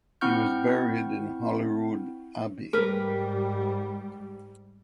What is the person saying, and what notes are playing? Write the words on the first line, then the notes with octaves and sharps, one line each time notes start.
He was buried in Holyrood Abbey.
C4 E4 F#5 C#6 F6 G6
G#2 G3 A#4 B4